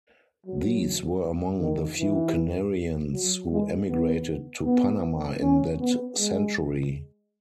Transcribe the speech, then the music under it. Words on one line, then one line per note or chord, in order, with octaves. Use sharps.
These were among the few Canarians who emigrated to Panama in that century.
F#3
D#3
E3
F#3
G#3
B3
B3
C#4
B3
G#3